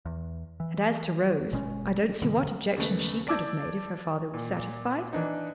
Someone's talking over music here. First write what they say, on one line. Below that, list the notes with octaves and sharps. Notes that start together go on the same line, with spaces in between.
And as to Rose, I don't see what objection she could have made if her father was satisfied.'
E2
E3
G1 B2 G#3 C#4
G2 B2 D3 E3
D#2 C#3 A3 B3
D5 A5 D6 E6 G6 G#6
A#2
E3 D4 D#4